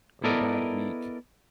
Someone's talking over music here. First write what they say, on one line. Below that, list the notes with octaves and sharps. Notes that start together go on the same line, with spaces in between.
or a bad week,
B3 E4 A4 A#4 D5 D#5